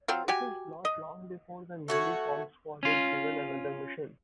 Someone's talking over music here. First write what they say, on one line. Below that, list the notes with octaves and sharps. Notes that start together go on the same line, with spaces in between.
It is not long before the newly formed squad is given another mission.
F#3 C4 F4
F#4 G4 G#5
D#5
A3 F#4 C#5
C#4 F4